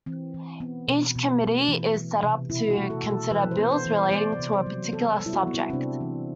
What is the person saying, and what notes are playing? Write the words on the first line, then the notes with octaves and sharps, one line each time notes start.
Each committee is set up to consider bills relating to a particular subject.
E3 C4
E3
B3
B2
B2
A3
E3
E3
C3
B2 E4
F#4
A3
A4
B2
A4
E3 B4
C5
B3
C5
E3
C5
B3 D5
D5
C3
C5
F#3
B3 A4
G3
E4
F#4
B3
E4
C4
C3 D4
E3